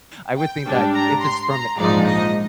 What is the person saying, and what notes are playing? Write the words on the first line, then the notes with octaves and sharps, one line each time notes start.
I would think that if it's from a guy
G5
G#2 G3 D4
A#5
C6
A#5
A#1 G#2 F3 G#3 D#4 D5
D#5